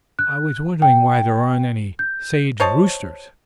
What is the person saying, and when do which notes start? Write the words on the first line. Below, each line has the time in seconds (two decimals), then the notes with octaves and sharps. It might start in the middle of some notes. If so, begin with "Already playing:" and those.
"I was wondering why there aren't any sage roosters?"
0.19 F#6
0.82 G5
1.99 G6
2.60 C5 C#5 D#5 A5